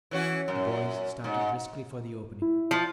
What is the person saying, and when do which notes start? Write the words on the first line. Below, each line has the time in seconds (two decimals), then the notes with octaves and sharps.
The boys started briskly for the opening.
0.11 E3 C#4 F#4
0.48 F#2
1.24 G#2
2.42 E4
2.71 F3